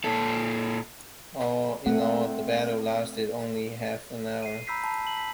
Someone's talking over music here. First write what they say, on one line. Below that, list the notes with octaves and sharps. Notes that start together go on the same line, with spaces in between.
All in all, the battle lasted only half an hour.
A#2 A4
A3 C4 F#5
C7 D#7
A#5 B5 E6 G6 B6 C7
A5 B5
A5 F#7
B6